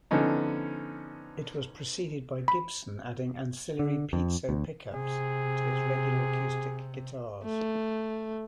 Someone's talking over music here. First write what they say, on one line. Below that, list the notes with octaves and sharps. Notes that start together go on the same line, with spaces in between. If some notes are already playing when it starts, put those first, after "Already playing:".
It was preceded by Gibson adding ancillary piezo pickups to its regular acoustic guitars.
D3 F3 B3 C#4 D#4
B5
D3
F2
D2
C3 G#4
A3